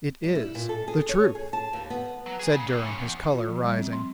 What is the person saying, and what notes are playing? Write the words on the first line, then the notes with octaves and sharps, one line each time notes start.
"It is the truth," said Durham, his color rising.
G3
E4
A#2
A4
G#4
C#5
G#4
A5
D#2
B3
F#3
G#4 G#5
C#3
A2 A#3
F2 C#4
E2
F4
F3
G3
C4
C6